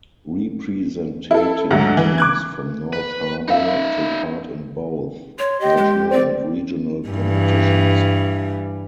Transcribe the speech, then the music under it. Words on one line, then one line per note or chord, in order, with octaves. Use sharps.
Representative teams from North Harbour take part in both national and regional competitions.
E4 A4
D2 G#2 D3 F#3
E3
D6 F#6 G#6
B4
D#4 F4 E5 F5
C#5 C6
G4 D#5
G#3
C4 C5 D5
G2 E3 G3